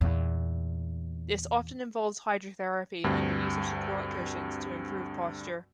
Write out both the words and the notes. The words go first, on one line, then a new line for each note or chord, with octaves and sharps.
This often involves hydrotherapy and the use of support cushions to improve posture.
E2 A#2
D2 G2 C4